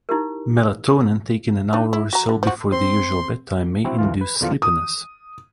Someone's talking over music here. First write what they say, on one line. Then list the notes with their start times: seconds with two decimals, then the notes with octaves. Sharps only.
Melatonin taken an hour or so before the usual bedtime may induce sleepiness.
0.09 D#4 E4 G4 A#4
1.73 D4 D#4
1.93 E4
2.13 F#4 A#5
2.29 D3
2.43 F3 F#4
2.72 C4 C6
3.84 C4 E4 F#4 G5
3.98 D2 E3 F4
4.21 B4
4.41 E2 D3 F3 F4
4.62 D#6